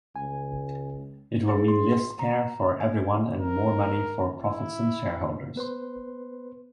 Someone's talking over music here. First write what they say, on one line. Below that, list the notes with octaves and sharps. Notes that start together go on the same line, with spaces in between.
It will mean less care for everyone, and more money for profits and shareholders.
C#2 G#5
G#4
C6
A#5
G#5
A#4
E4
B3 B4 C5 C6